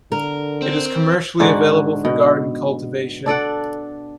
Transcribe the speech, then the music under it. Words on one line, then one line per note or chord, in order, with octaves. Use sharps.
It is commercially available for garden cultivation.
D3 A#4
C4
G#2 D3 F#4
B2
D4 A4 D5 F#5